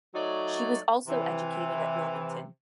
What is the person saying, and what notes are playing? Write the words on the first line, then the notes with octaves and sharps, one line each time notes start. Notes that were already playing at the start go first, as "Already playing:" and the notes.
She was also educated at Wilmington.
F#3 A3 D#4 C#5 D5
C3 E3